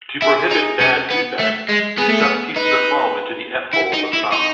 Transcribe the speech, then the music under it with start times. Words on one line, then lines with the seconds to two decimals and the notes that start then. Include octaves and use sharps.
To prohibit "bad feedback", he stuffed pieces of foam into the F-holes of some.
0.22 E4 G#4
0.51 D#4
0.80 C#4
1.10 B3
1.39 A3
1.69 G#3
1.98 B3 G#4
2.09 A3
2.20 B3
2.56 D#4 B4
3.74 E4
3.94 D#4
4.13 E4
4.32 D#4